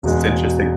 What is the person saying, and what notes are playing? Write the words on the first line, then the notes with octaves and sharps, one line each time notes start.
This is interesting.
E1 E2 B2 G#3